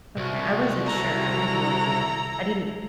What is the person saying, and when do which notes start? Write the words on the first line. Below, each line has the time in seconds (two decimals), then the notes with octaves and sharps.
Okay, I wasn't sure, I have no idea. I didn't
0.17 C2 F#4
0.86 E4 A4 A#5